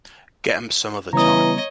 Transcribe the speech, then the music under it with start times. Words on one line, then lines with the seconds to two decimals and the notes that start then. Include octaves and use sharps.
Get 'em some other time.
1.13 C#3 E3 G3 B3 C#5 D#5 A#5 D#6